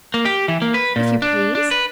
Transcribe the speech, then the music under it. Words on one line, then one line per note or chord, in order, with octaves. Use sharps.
"If you please."
A#3
G4
E3
A#3
B4
A#2
D4
D4
B4